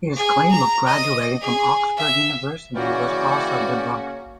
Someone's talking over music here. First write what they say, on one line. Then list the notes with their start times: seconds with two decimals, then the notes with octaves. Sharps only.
His claim of graduating from Oxford University was also debunked.
0.16 G#4
0.51 A#5
0.87 D#5
1.41 G#4
1.97 E5
2.75 C#3 E3 A#3 C#4 F#4 D5 G5